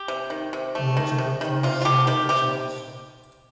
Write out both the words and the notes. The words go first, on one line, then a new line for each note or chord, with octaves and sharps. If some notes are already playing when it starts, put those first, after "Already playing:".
He also performed some of the songs.
Already playing: G4
C3
D#3
C3
A3
D#3
C3
D#3
C3 F4
F4
A3 G4
D#3 G4
C3 G4